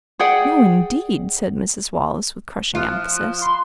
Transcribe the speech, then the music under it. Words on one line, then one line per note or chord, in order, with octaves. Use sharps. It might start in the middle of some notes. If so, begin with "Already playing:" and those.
"No, indeed," said Mrs. Wallace, with crushing emphasis.
G#4 D5 F#5 G5
F3 F4 F#6
B5 C6